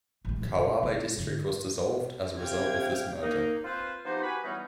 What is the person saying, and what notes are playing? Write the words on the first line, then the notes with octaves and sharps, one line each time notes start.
Kawabe District was dissolved as a result of this merger.
A1 G#3
E3
C3
C3 G#3
G#2 D3
C3 D4 F5 G5 G#6
A#3 D#4
C4 F4 B4 C5
F3 B3 D#4 G4 C5
F#4 G4 B4 G#5 B5
E3 F#3 G3 B3 C#4 D#4